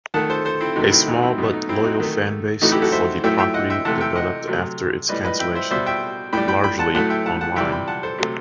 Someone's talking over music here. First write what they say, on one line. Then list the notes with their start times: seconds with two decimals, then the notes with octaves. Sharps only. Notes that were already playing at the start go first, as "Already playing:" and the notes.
A small but loyal fanbase for the property developed after its cancellation, largely online.
0.14 D#3 A3 F#5 A5
0.30 A4 C5
0.45 A4 C5
0.61 C4 E4
0.76 C3 D#3 A3 D#4 F#4
0.91 C4 E4
1.07 D#4 F#4
1.22 C4 E4
1.38 B2 F#3 A3 D#4
1.53 D#4
1.69 C4 E4
1.84 D#4 F#4
2.00 D#3 A3
2.62 A2 E3 A3 D#4 F#4
2.72 E4 G4
2.82 F#4 A4
2.92 C5 E5
3.24 A2 F#3 A3 E5 G5
3.38 E5 G5
3.54 D#5 F#5
3.70 E5 G5
3.85 C3 E3 A3 F#5 A5
4.01 E5 G5
4.16 D#5 F#5
4.47 C3 F#3 A3
5.09 A2 G3 B4 D#5
5.25 B4 D#5
5.39 E5 G5
5.55 C5 E5
5.71 B2 G3 C5 E5
5.86 E5 G5
6.33 A2 G3 G5 B5
6.48 G5 B5
6.64 G5 B5
6.79 F#5 A5
6.94 A2 F#3 A3 F#5 A5
7.10 E5 G5
7.26 F#5 A5
7.41 F#5 A5
7.56 C3 E3 G3 E5 G5
7.72 G5 B5
7.88 F#5 A5
8.03 A4 C5
8.18 C3 F#3 A3